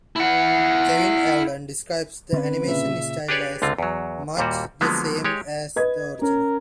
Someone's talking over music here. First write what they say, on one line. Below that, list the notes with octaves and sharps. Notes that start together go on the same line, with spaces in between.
Kevin Eldon describes the animation style as 'much the same as the original'.
E4 F#5
D3 C4 C#4 B4
A#2 C#3 E5
D4 G4 G#4 B4 C#5 D5
C#2 D3 C4 F4
E2 F#3
D#2 A#2 G3 F#4
D3 F3 F#3 G#3 A#3 B3
G#3 G4 C#5
B4 D#5 G#6
C#4 A#4